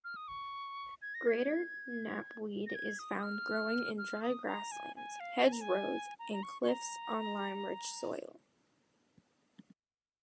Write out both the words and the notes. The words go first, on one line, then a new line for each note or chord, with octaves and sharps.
Greater knapweed is found growing in dry grasslands, hedgerows and cliffs on lime-rich soil.
F6
D#6
C#6
G#6
A#6
G#6
A#6
G#6
D#6
D#6
F6
F6
D#6
A#5
G#5
G#5
F5
G#5
A#5
G#5
A#5
A#5
C#6
C#6
A#5